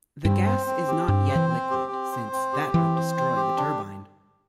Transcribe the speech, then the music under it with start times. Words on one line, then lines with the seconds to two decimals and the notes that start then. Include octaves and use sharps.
The gas is not yet liquid, since that would destroy the turbine.
0.24 G2 C4
0.46 C5
0.66 C4
0.88 G4
1.08 G2 C4
1.29 C5
1.35 E3
1.50 C4
1.71 G4
1.91 C4
2.12 C5
2.32 C4
2.53 G4
2.74 E3 C4
2.96 C5
3.17 C4
3.36 G4
3.57 D4